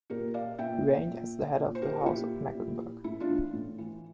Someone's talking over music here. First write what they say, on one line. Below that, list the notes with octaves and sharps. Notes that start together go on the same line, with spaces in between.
He reigned as the head of the House of Mecklenburg.
A#2 G4 A#4
D5 F5
A#2 E5 G5
A#2
A#2
C5
G4 A#4
F4
A#2 E4 G4
A#2
A2 E4
D4 F4
E3
A2
E3